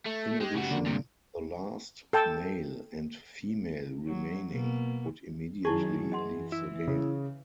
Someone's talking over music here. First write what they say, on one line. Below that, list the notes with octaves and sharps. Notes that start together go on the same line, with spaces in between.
In addition, the last male and female remaining would immediately leave the game.
A3
G#3 G4
C#3 F#4
D3 A#3
G2 C3
A4 G5 A5
F#3
B2 A#3
F#2 D#3 E4 G#4 A5 C#6
E3 D#5 F#5 C6
E4
C#3